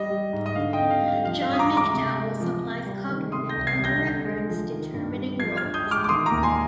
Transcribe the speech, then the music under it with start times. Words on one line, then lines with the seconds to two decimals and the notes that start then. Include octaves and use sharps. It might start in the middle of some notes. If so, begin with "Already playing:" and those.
John McDowell supplies cognitive and reference-determining roles.
Already playing: G3 D#5
0.10 G3
0.33 G#2
0.46 D#5
0.55 D3 F5
0.73 D#5 G5
0.79 F2
0.90 F5
1.02 G3
1.08 F5
1.24 F3 F5
1.42 F5
1.48 G2 D#6
1.59 A#5 D6
1.70 G#3
1.77 A#5 D6
1.94 C3
2.17 G#3
2.40 F3
2.63 C3
2.86 G3
3.09 D#3
3.32 C3 C6 D#6
3.49 G6 A#6
3.56 C2
3.67 G#6 C7
3.78 G3
3.84 G6 A#6
4.02 D3
4.25 G#3
4.47 F3
4.71 D#3
4.94 G2
5.16 G3
5.40 F3 G#6 C7
5.57 F6 G#6
5.63 G2
5.74 D#6 G6
5.86 G#3
5.91 D6 F6
6.04 D6
6.09 D#3 C6 D#6
6.26 A#5 D6
6.31 D#2
6.43 G#5 C6